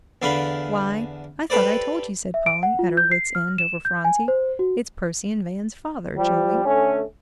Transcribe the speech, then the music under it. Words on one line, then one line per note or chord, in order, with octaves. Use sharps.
"Why, I thought I told you," said Polly, at her wit's end over Phronsie. "It's Percy and Van's father, Joey!"
E2 D3 D4 F5 B5
G4 A4 B4 C5 D5
E5
D7
F#5
F4
G6
C7
F6
E7
G6
G#5
C5
F#4
F3 G3
D3 A3 C#4